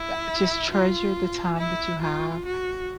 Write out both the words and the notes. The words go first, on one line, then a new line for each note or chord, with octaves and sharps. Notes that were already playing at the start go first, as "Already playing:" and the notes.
...g just treasure the time that you have
Already playing: E4
F4
E4
F4
F#4